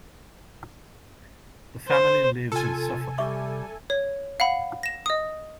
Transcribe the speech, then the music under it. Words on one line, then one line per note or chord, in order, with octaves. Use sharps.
The family lives in Suffolk.
C5
C3 F4 A4 G#5
G3 E5 C#6 D6
C#5
F5 F#5 B5
A#6 E7
D#5 D#6